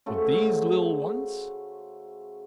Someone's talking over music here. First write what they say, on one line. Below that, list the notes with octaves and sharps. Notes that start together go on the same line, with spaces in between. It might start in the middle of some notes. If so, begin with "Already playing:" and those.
But these little ones!
C#3 A3 F#4 C5